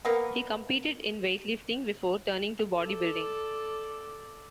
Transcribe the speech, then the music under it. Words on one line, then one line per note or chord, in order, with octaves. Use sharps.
He competed in weightlifting before turning to bodybuilding.
A#3 B3
A4 D5